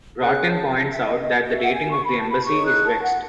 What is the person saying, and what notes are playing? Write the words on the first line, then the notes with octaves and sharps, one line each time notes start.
Broughton points out that the dating of the embassy is vexed.
C#4 G#4 C#5 F#6
A5
A5
E5
D#5
D#5
F#4 C#5
E5
F#5
G#5
C#6
B5
A5
B5
D#4 G#4 C#5 C#6
F#6
A5
F#5